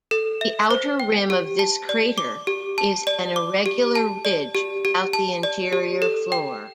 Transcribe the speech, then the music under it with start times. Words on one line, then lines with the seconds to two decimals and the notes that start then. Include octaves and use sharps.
The outer rim of this crater is an irregular ridge about the interior floor.
0.11 A4
0.41 E5
0.71 C5
1.00 G5
1.30 G4
1.59 A5
1.89 D5
2.18 D6
2.47 G4
2.78 A5
3.07 D5
3.36 D6
3.66 G4
3.95 A5
4.25 D5
4.55 G4
4.85 G4
5.13 A5
5.43 D5
5.73 G4
6.02 A4
6.32 G5